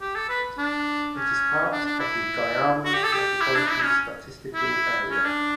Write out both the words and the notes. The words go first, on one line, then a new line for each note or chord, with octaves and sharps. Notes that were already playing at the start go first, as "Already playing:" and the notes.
It is part of the Guayama Metropolitan Statistical Area.
G4
A4
B4
D4
C#4
D4
D4
E4
F#4
G4
A4
G4
E4
D4
E4
C#4
E4
C#4
D4